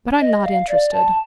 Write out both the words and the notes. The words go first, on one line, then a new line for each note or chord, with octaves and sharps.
But I'm not interested.
D#5
F5
D5
A5